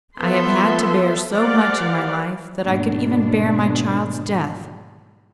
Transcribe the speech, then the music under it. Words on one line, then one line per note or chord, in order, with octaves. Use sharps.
I have had to bear so much in my life that I could even bear my child's death.
F3 B3 A4 E5 C6
G4 A#4 C5 D5 F5 F#5
D#2 G#2 B2 D4